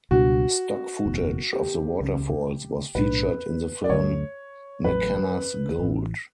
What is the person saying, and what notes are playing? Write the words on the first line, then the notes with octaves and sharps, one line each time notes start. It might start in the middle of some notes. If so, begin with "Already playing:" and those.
Stock footage of the waterfalls was featured in the film "Mackenna's Gold".
C#2 B2 G3 D4 F#4
F#1 E2 B2
G4
C#2 C#3 G3 C#4
B1 A2 G3 D4 B4
D5
D2 D3 A3 C#5
A1 A2 F#3 B4
A1 A2 E3